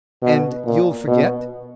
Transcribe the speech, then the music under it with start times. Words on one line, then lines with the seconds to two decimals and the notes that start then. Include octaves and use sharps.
"And you'll forget?"
0.22 B2
0.65 A#2
1.07 B2